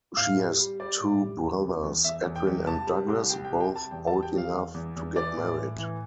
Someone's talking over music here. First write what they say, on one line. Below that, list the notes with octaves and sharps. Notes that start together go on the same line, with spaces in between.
She has two brothers, Edwin and Douglas, both old enough to get married.
A2 F5
G3
G3
G3 D5
A2
G3
E2
C3
E2
E2 E5
E2
G5
E2
C2 A5
G3
C2
G3 G5
G5
C3
G5
G3
A5
E2 G5
A5
G3
G5
E2 F5
E2
E2
E2
E3 D5
A2
A2
E3